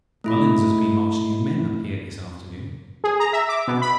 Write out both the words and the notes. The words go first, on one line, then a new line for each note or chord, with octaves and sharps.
Mullins has been marching his men up here this afternoon.
A3 E4 B5
G#4
A#5
E5
D6
B2
B5